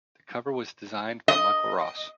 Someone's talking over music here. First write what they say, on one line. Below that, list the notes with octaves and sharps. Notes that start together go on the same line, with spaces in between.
The cover was designed by Michael Ross.
D#5